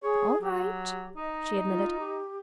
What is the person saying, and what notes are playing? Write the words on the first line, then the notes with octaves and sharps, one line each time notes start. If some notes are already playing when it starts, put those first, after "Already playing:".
"All right," she admitted.
G#4 C#5
F#3 G4
D#4 D#5
F4
G4